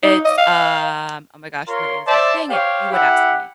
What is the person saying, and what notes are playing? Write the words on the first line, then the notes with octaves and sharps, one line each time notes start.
It's, um, oh my gosh, where is it? Dang it, you would ask me.
D#4
D#5
F5
F4 A#4 C#5 C6
C5 D5 E5 A5
G4 C5 C#5 F5
E4 G4 F#5